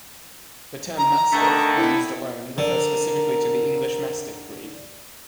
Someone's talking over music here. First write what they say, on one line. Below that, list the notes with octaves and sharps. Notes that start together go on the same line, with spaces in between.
The term "Mastiff", when used alone, refers specifically to the "English Mastiff" breed.
A#5
D3 D#3 A3
E4
D3 A#4